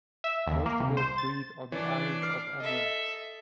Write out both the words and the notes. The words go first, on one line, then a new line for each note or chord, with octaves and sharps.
Most of them breed on the island of Amrum.
E5
D#2
A#3
C2
C5
A6
E3 D4 C#5 D5
D6 F6 C7
A4 D#5 E5